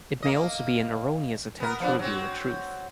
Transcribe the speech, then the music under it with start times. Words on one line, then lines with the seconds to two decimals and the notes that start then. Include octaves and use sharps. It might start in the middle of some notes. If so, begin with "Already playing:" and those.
It may also be an erroneous attempt to reveal a truth.
0.23 A#3 D#5
1.60 B3 A#4
1.80 F3 B3 D4
1.99 F#3 C4